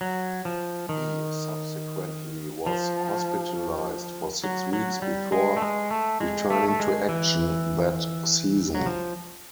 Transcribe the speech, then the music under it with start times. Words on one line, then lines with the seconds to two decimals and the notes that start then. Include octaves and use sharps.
He subsequently was hospitalized for six weeks before returning to action that season.
0.01 F#3
0.45 F3
0.89 D#3
2.66 F3
4.44 F#3
4.73 F#3
5.02 G3
5.32 G#3
5.57 A3
5.62 G#3
5.91 A3
6.20 G#3
6.50 A3
6.68 A3
6.80 G#3
7.09 E3
8.75 F#3
8.86 F3